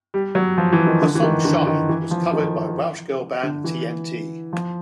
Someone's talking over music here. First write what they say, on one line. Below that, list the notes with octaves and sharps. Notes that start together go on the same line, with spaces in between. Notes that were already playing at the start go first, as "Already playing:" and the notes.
Her song 'Shine' was covered by Welsh girl band TnT.
G3
F#3
F3
E3
D#3
D3
E3
D#3
D3
D#3
E3
F3
D#3
D3
E3
F3